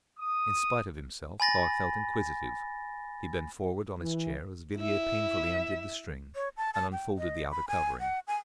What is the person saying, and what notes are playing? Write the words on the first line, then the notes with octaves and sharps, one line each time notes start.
In spite of himself Clarke felt inquisitive; he bent forward on his chair as Villiers painfully undid the string, and unfolded the outer covering.
D#6
G#5 B5 A6 A#6
E3
E4 E5
C#5
A5
A5
G5
D#5
B5
G#5
F#5
G#5